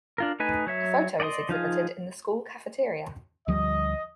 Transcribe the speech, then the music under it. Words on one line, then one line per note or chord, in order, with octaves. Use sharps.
A photo is exhibited in the school cafeteria.
D4 F4 A#4
A3 D#4 B4 D#5 G#5
F#3 C#5 E5
D5 D#5 G5 C6 D#6
F3 D#4 F4 G#4
D2 F3 G3 D#5